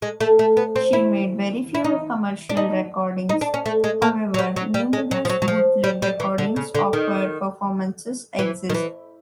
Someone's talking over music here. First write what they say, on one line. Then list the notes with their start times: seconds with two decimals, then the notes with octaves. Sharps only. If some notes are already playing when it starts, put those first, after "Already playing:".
She made very few commercial recordings; however, numerous bootleg recordings of her performances exist.
0.02 G#3
0.21 A3
0.39 A3
0.57 B3
0.76 C4
0.93 E4
1.75 E4
1.84 D#4
2.49 D4
2.57 D#4
3.29 D#4
3.41 D4
3.54 C#4
3.66 A3
3.84 G#3
4.02 A#3
4.34 F#3
4.39 G3
4.56 F#3
4.74 G3
4.93 G#3
5.11 F#3
5.25 F3
5.29 F#3
5.42 F#3
5.48 F3
5.84 G3
6.02 G3
6.20 E3
6.38 D3
6.56 C#3
6.75 D3
6.93 D#3
8.39 E3
8.69 D#3
8.74 E3